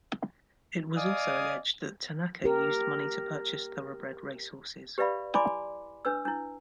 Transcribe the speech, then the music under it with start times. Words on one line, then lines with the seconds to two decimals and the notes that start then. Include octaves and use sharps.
It was also alleged that Tanaka used money to purchase thoroughbred race horses.
0.96 D5 D#5 F5 G#5 D6 D#6
2.44 G4 A#4
4.98 G4 B4 D5 E5 F5 B5
5.34 E4 D5 G#5 B5 C6 D6
6.05 D4 B4 E6
6.25 D4 E4